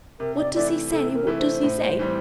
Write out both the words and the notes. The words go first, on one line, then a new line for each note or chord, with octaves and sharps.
'What does he say, what does he say?
C3 A#4
D5
E3 A3 E4 D5
C3 A4
A#4
E3 A3 E4
C5
A2
E3 G3 C4